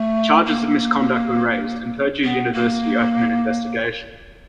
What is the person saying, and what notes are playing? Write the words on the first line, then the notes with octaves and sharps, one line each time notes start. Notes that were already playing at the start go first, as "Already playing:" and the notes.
Charges of misconduct were raised, and Purdue University opened an investigation.
Already playing: A3
A#3
B3
A#3